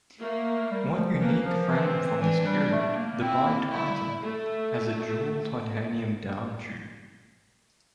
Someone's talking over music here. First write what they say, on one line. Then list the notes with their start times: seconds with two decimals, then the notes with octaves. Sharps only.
One unique frame from this period, the Bititan, has a dual titanium down tube.
0.19 A3 A#3
0.71 G3
0.96 F3
1.20 E3 A#3
1.46 F3
1.71 E3 C4
2.21 E3 D4
2.46 G3
2.72 A3
2.96 A#3
3.21 C4 E4
3.46 A#3
3.72 A3 E4
3.89 G3
4.23 A3